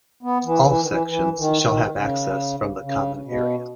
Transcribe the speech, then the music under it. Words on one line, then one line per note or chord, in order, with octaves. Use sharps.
All sections shall have access from the common area.
B3
E3
E3
D#3
E3
E3
D#3
D#3
C#3
C#3
B2